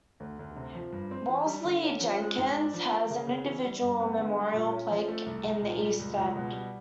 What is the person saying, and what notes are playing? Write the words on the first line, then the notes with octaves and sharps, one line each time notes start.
Wolseley-Jenkins, has an individual memorial plaque in the east end.
D2
D2
C3
F3
G2
C4
E3
G3
D3
C#4
F3
G#3
G#2
D4
F3
A#3
C#3
C#3
E3
G3
G2
B3
D3
G3
A#2
C#4
F3
A3
C2
C2
A#2
G3
C#2
C#2
B2
G3